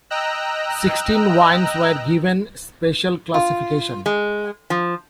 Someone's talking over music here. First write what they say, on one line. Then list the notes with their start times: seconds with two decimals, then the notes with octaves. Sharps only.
Sixteen wines were given special classification.
0.10 D#5 G5 A#5 E6 F#6
3.34 F4
4.06 G#3
4.70 F3